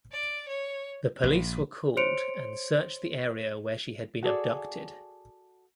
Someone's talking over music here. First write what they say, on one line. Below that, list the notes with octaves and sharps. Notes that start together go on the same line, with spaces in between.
The police were called and searched the area where she had been abducted.
D5
C#5
A#1
C5 C#5 C6 C#7 D7 F7
F#4 G#4 A4 D5